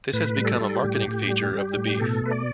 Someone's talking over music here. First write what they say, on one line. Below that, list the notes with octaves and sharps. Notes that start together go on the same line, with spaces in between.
This has become a marketing feature of the beef.
A2 B4
G3
A4
G3
G4
A2
A2
G3
G3
A2
B2 A4
A3 B4
D5